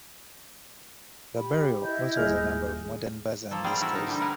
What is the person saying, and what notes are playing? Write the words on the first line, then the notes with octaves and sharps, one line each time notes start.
The "barrio" also has a number of modern bars and discos.
G4 B5
E4 D#5 G6
D#1 G#4 F6
F3 A#3 A4
G3 C4 G#4 D5 F5
E4 F#4 A4 A#4
D#4
D3 G3
A#4 B4 F5 F#5 G#5